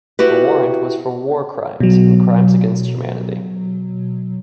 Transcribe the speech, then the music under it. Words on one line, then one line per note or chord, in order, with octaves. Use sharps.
The warrant was for war crimes and crimes against humanity.
E4 F#4 G4 B4
B2 F#3